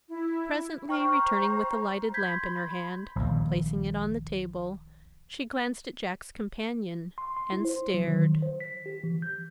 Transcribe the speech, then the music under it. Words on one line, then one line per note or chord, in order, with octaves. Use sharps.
Presently, returning with the lighted lamp in her hand, placing it on the table, she glanced at Jack's companion--and stared.
E4
C5 G5 A#5 C#6 F6
B5 C6 G6 G#6 B6
A#1 D#2
C6
C6
E4
C5
F#3
D#3
C5
B6
G4
E3
G6